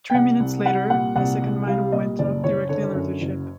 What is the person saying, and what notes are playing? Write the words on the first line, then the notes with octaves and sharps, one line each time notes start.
Three minutes later, a second mine went off directly under the ship.
G5
C2 F#5
C2
G3 F#5
A#2 F#5
C2 F#5
C2
G3 F5
A#2 D#5
F#1 D5
F#1 C#5
D3 C#5
F#2
F#1